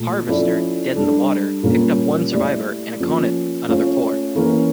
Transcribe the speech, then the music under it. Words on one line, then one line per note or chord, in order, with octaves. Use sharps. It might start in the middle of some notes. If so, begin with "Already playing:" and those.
"Harvester", dead in the water, picked up one survivor and "Aconit" another four.
Already playing: A#2 A3
F3 C#4 E4 A4 D5
G3 D4 A4
A#2 G3 A#3 C#4
A3 E4 G4 D5
F3 A#3 C#4
A3 C#4 F4 C#5
E3 A#3 C#4 E4